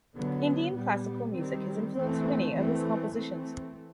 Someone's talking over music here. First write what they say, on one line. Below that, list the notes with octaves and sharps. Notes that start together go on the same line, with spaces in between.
Indian classical music has influenced many of his compositions.
D3 F#3 B3
A#2 G3 B3
D#3 G3 C4
E3 A3 C4
E3 A3 C4
E3 A3 C4